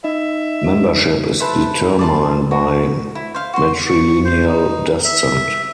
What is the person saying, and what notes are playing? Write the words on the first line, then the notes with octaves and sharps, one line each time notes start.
Membership is determined by matrilineal descent.
D#4 D#5 E5
A4 B4 C5 E5
D5 A5 C6
F#4
E4
C5 F5
F#4 C6
C#6
C5
D#4
E5